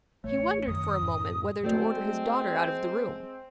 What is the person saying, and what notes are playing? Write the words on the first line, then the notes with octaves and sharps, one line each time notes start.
He wondered for a moment whether to order his daughter out of the room.
A1 A3 C#5
F#2 D#3 D#6
F#2 A2
G#3 A3 C4 F#4 D5